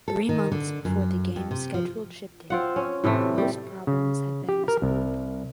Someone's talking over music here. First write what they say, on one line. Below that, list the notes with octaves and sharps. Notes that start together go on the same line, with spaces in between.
Three months before the game's scheduled ship date, most problems had been resolved.
A4
D#3
D3
F#2
F2
C3
F3
C4 F4 F#5
C#4
A2 C3 E3 A3
G3
C#3
G4
A#4
C2